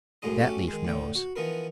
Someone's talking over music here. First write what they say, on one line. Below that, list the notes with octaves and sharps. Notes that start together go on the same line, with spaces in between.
That leaf knows.
B1 F#2 A2 G#3 D#4 D#5
A3 C#4 F#4 G4 A4
D#3 G#3
A2 D3 G5
F#4
E3 F3 B3 D#4 A#4 B4